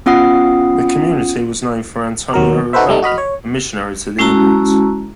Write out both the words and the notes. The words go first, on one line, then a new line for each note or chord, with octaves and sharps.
The community was named for Antonio Ravalli, a missionary to the Indians.
B3 C#4 F4 F#5 D#6 C7
D#2 F#3 A#4
D#4 F#4 A4 B4 C5 E5
G3 A3 D#4
F#4 D#5 B5 F6
C#5
G#3 C#4 E4 F#4 A5 A#5